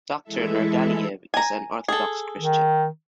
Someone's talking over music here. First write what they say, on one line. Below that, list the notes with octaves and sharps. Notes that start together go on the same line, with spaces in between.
Doctor Nurgaliyev is an Orthodox Christian.
E3 G#3 E4 A4 E5
G#5 A#5
G#4 A4
D#3